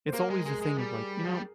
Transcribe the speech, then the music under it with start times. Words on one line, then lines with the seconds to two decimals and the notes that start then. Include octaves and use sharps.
it's always a thing of, like, you know
0.08 C5
0.13 A#3 A#4
0.30 G#3
0.46 G#3 G#4
0.62 G#3
0.78 G3
1.24 F3
1.33 G3